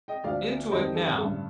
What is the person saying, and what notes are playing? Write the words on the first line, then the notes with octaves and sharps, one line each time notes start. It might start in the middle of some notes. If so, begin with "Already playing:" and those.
Into it, now!
D#5 G5
D2 D3 F3 D5 F5
F2 D#3 G3 C5 D#5
A4
A1 G2 D3 A4